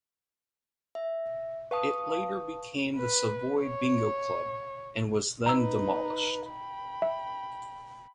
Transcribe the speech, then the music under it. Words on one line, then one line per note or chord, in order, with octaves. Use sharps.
It later became the Savoy Bingo Club and was then demolished.
E5
B4 F5 A5 C#6 D#6
B4
C#5
D#4 B4 A#5 E6
G5 B5
E5